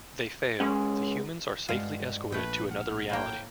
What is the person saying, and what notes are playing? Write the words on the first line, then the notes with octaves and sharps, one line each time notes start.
They fail; the humans are safely escorted to another reality.
C#2 G#3 C#4 F#5
G2 G#3 F4 F#5
A#1 A3 B4 G5
F#5 F6
A2 A#3 G5